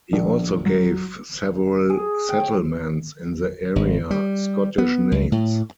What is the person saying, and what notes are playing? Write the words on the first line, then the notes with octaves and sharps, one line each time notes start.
He also gave several settlements in the area Scottish names.
A#1
F#3
G#4
G5
C#5
G#1
G3
B3
C#2
A2